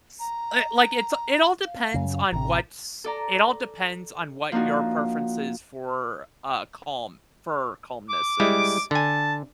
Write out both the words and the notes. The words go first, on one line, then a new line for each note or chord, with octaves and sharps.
s uh, like it's, uh it all depends on what's it all depends on what your preference is for, uh, calm for calmness is.
A#5
F5
F#2 C#3
A1 C3 A#5
A4 D5 A#5
F3 A#3 D4 D#4 F#4
D6
G3 G#3 E4
D3 G#5 A5